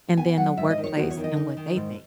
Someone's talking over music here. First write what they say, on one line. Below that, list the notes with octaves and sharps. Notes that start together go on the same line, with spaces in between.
and then the workplace and what they think?
B3 G#5
F#3 F#5
G#2 E5
D#5
D#3
C#5
E2 F#4
C#5
D#3
D#5
D#4
D#3
G#2